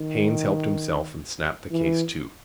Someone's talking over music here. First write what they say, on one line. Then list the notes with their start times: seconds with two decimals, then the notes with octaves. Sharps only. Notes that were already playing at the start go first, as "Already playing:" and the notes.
Haines helped himself and snapped the case to.
Already playing: D#3
1.71 E3